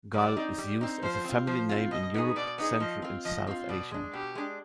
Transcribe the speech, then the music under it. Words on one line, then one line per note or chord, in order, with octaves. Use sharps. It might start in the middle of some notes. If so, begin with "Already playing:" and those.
Gul is used as a family name in Europe, Central and South Asia.
G3 D5
C4 D#4
G3
C4 D#4
F3 C5
C4 F4
F3 C5
C4 F4
B2 D#5
B3 D#4 G#4
B2 D5
B3 D#4 G#4
F3 D#5
C4 F4
F3 D#5
C4 F4
B2 D5
G#3 D4
B2 G4
G#3 D4